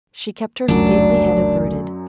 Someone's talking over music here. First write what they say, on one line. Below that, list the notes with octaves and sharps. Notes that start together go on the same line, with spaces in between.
She kept her stately head averted.
F1 C#2 F#2 F#3 D4